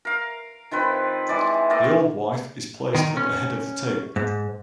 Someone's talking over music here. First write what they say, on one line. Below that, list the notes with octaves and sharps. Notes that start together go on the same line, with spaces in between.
The Old Wife is placed at the head of the table.
A#4 F5
D#3 F3 C4 B4
E3 G#3 D5
A3 A#3 D5 D#5
D#3
C#4
G#2